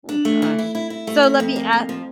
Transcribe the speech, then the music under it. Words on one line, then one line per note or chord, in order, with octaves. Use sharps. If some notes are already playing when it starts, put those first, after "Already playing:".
Ooh gosh. So, let me a
D4
A3
E3
E4
E4
E4
A3
F2
F2
A#3
F2
F3